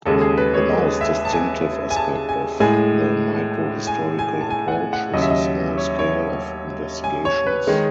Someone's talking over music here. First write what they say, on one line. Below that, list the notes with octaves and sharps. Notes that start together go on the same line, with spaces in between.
The most distinctive aspect of the microhistorical approach is the small scale of investigations.
D#2 C#3 G#3 A4
G#4
B4
C#5
D#5
E5
A5
G#5
G#5
A5
G#5
A2 G#3 G#5
G#5
G#5
A5
G#5
F#5
G#5
F#5
D#2 C#3 F#3 D#5
E5
D#5
C#5
C#5
G#5
C#5
B4
D#3 G#3 C#5